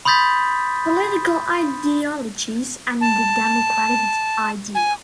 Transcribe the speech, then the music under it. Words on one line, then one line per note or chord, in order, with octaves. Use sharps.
Political Ideologies and the Democratic Ideal.
B5 C6 D#6 G6 A6 B6
A5
G#5